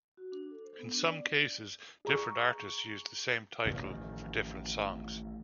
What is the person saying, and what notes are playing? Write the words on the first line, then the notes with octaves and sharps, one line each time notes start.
In some cases, different artists used the same title for different songs.
F#4
D4
A4
C5
B3
D4
D5
G#4 A#5 C#6
A1 A2 D#3 F3